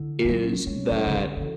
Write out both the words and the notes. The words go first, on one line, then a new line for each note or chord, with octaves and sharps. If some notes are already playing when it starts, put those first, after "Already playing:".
is that
Already playing: D3 E4
G#3
E3
F#3
C#4
G#3 C#5
F#3 A4
C#3
D3 A4
D3
E3 F#4